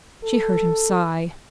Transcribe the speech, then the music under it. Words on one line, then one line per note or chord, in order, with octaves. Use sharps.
She heard him sigh.
A4